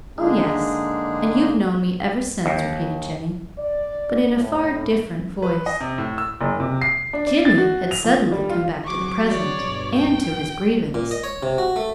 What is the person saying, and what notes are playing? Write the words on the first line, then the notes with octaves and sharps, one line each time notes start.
"Oh, yes--and you've known me ever since," repeated Jimmy--but in a far different voice: Jimmy had suddenly come back to the present, and to his grievance.
D3 G#3 A#3 D4 D#4 G#4
D#2
D5
A2
B4
D#5
C3
A2
E6
F#1
C3
C7
D4
D5
A6
F#4
F7
F3
G3
F4
F#3 F#4 G#4 C#6 D6
C#5 D5
G2 B2
G5
A#2
D#5
C#5
C3
F#4
A3